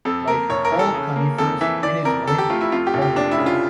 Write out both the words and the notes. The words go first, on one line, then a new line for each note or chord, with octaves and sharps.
Like all conifers it is wind pollinated.
F2 A4
A#3 A#4
F1 C#5
A#4
E3
A4
C#3
A#3
F2 A4
E3 E5
E3 D5
F2 A#4
F2 A4
G4
A3 F4
E4
F2 F4
G4
F1
G4
F1 D4
E4
C#3
F4